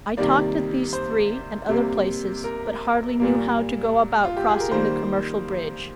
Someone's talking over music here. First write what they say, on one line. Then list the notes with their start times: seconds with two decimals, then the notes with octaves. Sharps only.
I talked at these three and other places, but hardly knew how to go about crossing the commercial bridge.
0.17 C3 D#3 G3 A#3 D5
0.93 C5
1.69 C3 G3 A#3
2.44 A#4
3.20 A#2 G3 A#3
4.25 F4
4.37 G4
4.48 G#4
4.60 A#4
4.71 D#3 G3 A#3 C5